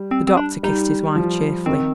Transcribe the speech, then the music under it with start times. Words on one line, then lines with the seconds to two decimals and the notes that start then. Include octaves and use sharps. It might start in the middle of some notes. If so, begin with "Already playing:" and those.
The doctor kissed his wife cheerfully.
Already playing: G3
0.11 C4
0.27 C4
0.37 D4
0.63 G3 D#4
1.16 F3
1.66 D#3 C4